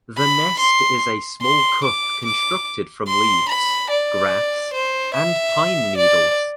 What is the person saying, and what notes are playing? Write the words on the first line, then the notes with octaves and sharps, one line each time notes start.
The nest is a small cup constructed from leaves, grass, and pine needles.
B5
C6
C6
D6
D6
C6
B5
D5
C5
E5
D5